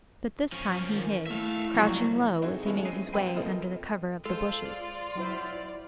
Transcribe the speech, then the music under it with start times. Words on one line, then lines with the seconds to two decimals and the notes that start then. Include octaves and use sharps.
But this time he hid, crouching low as he made his way under the cover of the bushes.
0.52 F3 C#4
0.87 D#3
1.26 A3 E4 E5 F5
1.74 C2 F2 F#3
2.42 C4 D#4 E4 F#4 G#4 A4
2.65 F3 G#3 A3 B3 C#4 E4
2.85 F#3 C4 C7 D#7
3.13 F#2 C3 B4 G5 C7 D#7
3.34 F3 A#3 C4 F4 A4 D#5
4.25 G#3 F4 A4 C5
4.65 D5
5.15 F#3 E4 C5